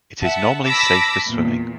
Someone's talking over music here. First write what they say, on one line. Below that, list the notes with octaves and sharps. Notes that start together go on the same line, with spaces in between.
It is normally safe for swimming.
E5 F#5 A5
A5 B5 D6 E6 A#6 B6
E2 A#2